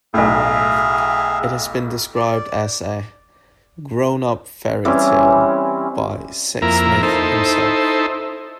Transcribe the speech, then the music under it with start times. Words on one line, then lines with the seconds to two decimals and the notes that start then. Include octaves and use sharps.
It has been described as a "grown up fairy tail" by Sexsmith himself.
0.14 B1 A2 G#4 E5 F5
2.15 D5
4.85 E3 G3 C4 C#4
6.62 F2 A#3 E4 A#4
7.03 D#4 E4 A4 C5